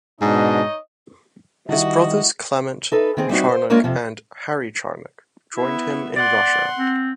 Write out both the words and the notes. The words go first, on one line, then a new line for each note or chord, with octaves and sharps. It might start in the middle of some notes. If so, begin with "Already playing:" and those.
His brothers Clement Charnock and Harry Charnock joined him in Russia.
G#2 B2 D4 D#4 C#5 D#5
D#3 G3 E4 F#4 D#5 E5
D#4 A4 B4
D#3 C4 G#4
G3 C4 D#4 F#4
C5
G#3 A#3 D4 F4 A#4 C#5
F2 C3 F3
B3 E4 E5
D5 F#5 C6
C4